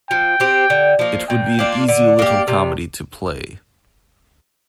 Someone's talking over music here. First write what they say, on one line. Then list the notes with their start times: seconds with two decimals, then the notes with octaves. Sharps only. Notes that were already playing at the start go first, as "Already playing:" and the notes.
It would be an easy little comedy to play.
0.11 F3 G5
0.40 C4 G4
0.70 D3
0.99 F3 A#3
1.29 A#2 G5
1.59 A#3 D4 F4
1.88 D3 D5
2.19 A#3 G4
2.48 C3